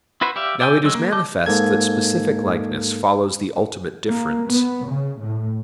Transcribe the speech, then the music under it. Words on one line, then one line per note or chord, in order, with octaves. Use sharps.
Now it is manifest that specific likeness follows the ultimate difference.
E4 F#4 B4 C5 E5
G4 D5 E5 F5
D5 E5 G5 G#5
F#3 G#3 E6
A#3
D#5 A5 D6 G6
G#2 A#3 A4 G#6
A#3
B3
C#3
A2